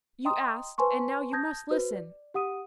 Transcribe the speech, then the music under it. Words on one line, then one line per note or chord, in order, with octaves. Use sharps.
"You asked--and now you must listen."
D#5 G5 A#5 C6 D#6
B4 C5 G#5 A5 C6 C#6
A5 D#6 G6 G#6 A#6
F#4 B4 C5
D5
G4 F#5 D#6 D#7